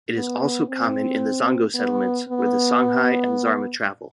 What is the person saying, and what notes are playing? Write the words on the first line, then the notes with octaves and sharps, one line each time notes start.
It is also common in the Zongo Settlements where the Songhai and Zarma travel.
B3
C4
B3
B3